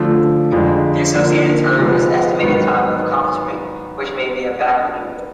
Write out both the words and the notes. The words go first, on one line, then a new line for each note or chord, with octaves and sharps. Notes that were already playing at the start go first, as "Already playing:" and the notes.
The associated term is "estimated time of accomplishment", which may be a backronym.
Already playing: D3 F3 A3
F2 D3 F3 G#3
D3 F3 A#3 D#4
C3 F3 G#3 B3
G#2 D#3 F#3 B3